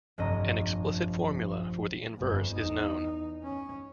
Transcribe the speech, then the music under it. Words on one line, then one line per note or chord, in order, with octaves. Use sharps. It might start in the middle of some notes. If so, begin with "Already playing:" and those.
An explicit formula for the inverse is known.
F1 A#1 G2 D#5 A#5
G1 F2
E2 D#4
C#4